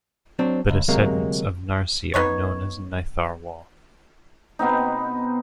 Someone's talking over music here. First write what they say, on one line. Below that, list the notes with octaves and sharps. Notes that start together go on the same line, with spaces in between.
The descendants of Narsi are known as Nitharwal.
F#3 C4 D4
C#2
D2 C3 F#3 G#3 A#3
B3 D#4 C#5
B2 B3 C4 D#4